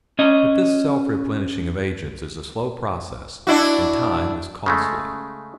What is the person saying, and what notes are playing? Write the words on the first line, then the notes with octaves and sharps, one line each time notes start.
But this self-replenishing of agents is a slow process, and time is costly.
C#4 D#5
D4 E4 F#4
C#3 G#3 A3